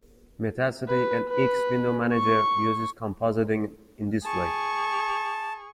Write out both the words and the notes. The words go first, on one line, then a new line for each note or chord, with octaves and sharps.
Metacity, an X window manager uses compositing in this way.
B4
B4
C#6
G#4 A5 C#6